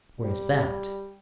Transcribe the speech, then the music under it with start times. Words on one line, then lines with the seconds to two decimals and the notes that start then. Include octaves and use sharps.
"Where's that?"
0.20 G3